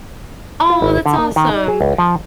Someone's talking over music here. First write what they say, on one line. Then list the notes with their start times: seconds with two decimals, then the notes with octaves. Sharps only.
oh, that's awesome!
0.70 F4
0.82 G#1
1.06 D3
1.18 A#3
1.36 D#3
1.49 D#4
1.68 G#4
1.81 C#2
1.98 F3